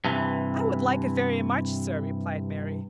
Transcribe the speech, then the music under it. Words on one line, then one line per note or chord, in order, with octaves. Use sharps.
"I would like it very much, sir," replied Mary.
G2 C3 E3